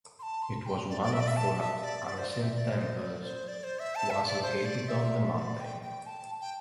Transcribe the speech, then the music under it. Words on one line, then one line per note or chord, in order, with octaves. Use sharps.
It was one of four ancient temples once located on the mountain.
C6
A5
C6
G5
D5
D5
E5
D5
E5
A5
E5
D5
D5
C5
D5
E5
D5
C5
D5
C5
D5
C5
E5
A5
E5
D5
C5
D5
E5
D5
G5
G5
A5
G5